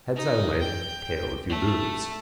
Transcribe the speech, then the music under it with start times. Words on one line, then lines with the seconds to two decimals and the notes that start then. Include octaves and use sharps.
Heads I win tails you lose.
0.16 D#4
0.61 G5
1.49 A3